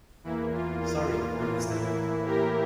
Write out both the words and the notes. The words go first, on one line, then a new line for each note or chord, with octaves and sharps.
Sorry, I missed that.
E2 E3 A#3 E4
F4
F4
F4
A2 E3 A#3 F4
E4
G4 A#4